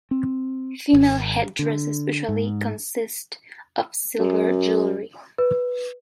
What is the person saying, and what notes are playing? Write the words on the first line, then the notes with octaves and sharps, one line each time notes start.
Female headdresses usually consist of silver jewelry.
C4
G#1
D3
G#2
F#2
B4